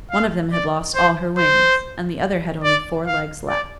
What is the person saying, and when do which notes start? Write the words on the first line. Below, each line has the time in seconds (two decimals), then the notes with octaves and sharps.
One of them had lost all her wings, and the other had only four legs left.
0.11 F5
0.52 D5
0.95 C5
1.38 C5
2.64 D5
3.07 F5
3.49 D5